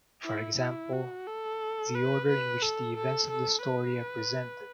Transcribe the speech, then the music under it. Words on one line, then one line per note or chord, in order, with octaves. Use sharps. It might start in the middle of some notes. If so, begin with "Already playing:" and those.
For example, the order in which the events of the story are presented.
E4
E4
F#4
A4
B4
B4
A4
A4
A4
B4